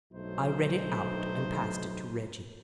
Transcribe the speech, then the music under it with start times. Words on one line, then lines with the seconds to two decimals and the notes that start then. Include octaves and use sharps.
I read it out and passed it to Reggie.
0.13 B1 G2 F#3 A3 D#4 C5